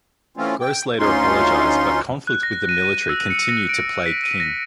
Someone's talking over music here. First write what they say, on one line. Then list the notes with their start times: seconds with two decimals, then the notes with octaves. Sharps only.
Grose later apologised, but conflict with the military continued to plague King.
0.37 E3 A3 C4 C#4 F4
0.61 G5
0.99 D2 C#4 D#4 F4 C6
2.27 F#6
2.43 A#6
2.69 D#7
2.85 D#7
3.09 E6
3.30 C#7
3.49 A#6
3.69 D7
4.06 B6
4.24 D#7
4.40 A#6